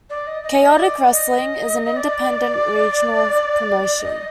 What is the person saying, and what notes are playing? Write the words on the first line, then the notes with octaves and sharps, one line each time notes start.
Chaotic Wrestling is an independent regional promotion.
D5
D#5
D#5
D#5
D5
D#5
D5
D#5